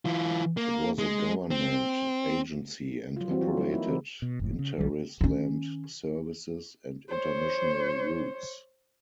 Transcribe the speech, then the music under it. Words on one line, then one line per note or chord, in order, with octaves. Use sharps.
It was a government agency and operated interisland services and international routes.
E3 F4
A#3
G#3
C4
F#3 F4
E3 G3 C4 F#4
F#3 F4
F#3 E4
A#3 D#4 E4
E3 C4
B2
F#1 F2 A2
C#3
B1 F2 D#3 G3
D#3 C#4
C5 C#5